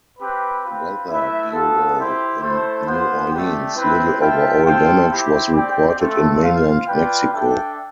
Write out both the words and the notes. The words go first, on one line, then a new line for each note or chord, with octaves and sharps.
Weather Bureau in New Orleans, little overall damage was reported in mainland Mexico.
C4 G4 B4
C4 F4 B4
A3 E4 B4 E5
B3 F4 A4
E4 G4 C5
A3 E4 A4 C5
B3 F4 C5
A3 D4 G4
C4 E4 B4
F4 A4 E5 G5
F4 A4 C5 G5
C4 E4 G4
C4 G4 D5 G5
A3 C4 F4 A4
F4 C5 F5
F4 B4 D5 G5
D4 A4 E5 G5